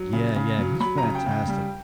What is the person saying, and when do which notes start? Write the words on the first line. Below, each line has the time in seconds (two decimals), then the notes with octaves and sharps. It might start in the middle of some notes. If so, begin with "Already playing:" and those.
Yeah, yeah, he's fantastic.
Already playing: F#3
0.13 C#3
0.36 C#3
0.58 F#3
0.80 F#3 B5
0.98 A#5
1.03 C#3
1.15 G5
1.26 C#3 G5
1.48 G3